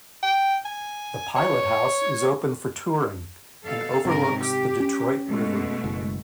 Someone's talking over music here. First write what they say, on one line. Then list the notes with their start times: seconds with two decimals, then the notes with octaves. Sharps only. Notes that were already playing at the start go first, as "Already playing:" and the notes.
The pilot house is open for touring and overlooks the Detroit River.
0.23 G5
0.65 G#5
1.36 C#5
3.65 B2 A4 F5
4.05 G#2 C3 A#4
4.41 G4
4.80 C#4
5.27 B2 G#3 A3
5.84 F#1